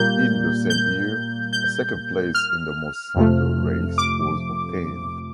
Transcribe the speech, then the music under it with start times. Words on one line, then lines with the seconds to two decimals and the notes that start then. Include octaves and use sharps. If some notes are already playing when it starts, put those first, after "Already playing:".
In the same year, a second place in the Monsanto race was obtained.
Already playing: A#2 G3 A#3 G6
0.70 G6
1.53 G6
2.35 F6
3.16 F2 C3 F3 A3
3.98 D6